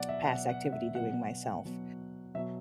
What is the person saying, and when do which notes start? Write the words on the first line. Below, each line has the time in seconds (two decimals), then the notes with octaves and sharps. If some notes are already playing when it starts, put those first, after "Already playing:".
past activity doing myself,
Already playing: B2 F#3 D5 F#5
0.09 E5
0.25 B2 F#3 F#5
0.49 F#5
0.65 F#5
0.73 E5
0.95 B2 F#3 F#5
1.65 B2 F#3
2.35 B2 F#3 E5